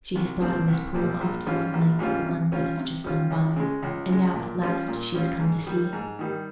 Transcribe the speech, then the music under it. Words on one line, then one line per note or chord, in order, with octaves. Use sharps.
She has thought of this pool often in the nights of the month that has just gone by, and now at last she is come to see it.
C2
A#2 G3 C4
C2
A#2 G3 C4
A#1
G#2 G3 C#4 F4
A#1
G#2 G3 C#4 F4
C3
G3 C#4 F4
C3
G3 C#4 F4
C#2
C#3 G#3
C#2
C#3 G#3
A#2
G3 C#4 F4
A#2
G3 C#4 F4
G#2
D#3 G3
G#2
D#3 G3